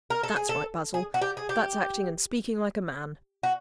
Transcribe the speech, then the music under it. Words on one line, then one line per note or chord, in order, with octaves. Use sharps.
"That's right, Basil! that's acting and speaking like a man!"
A#4
A4
G#4
A4
G#4
F#4
G4
G#4
G4
F#4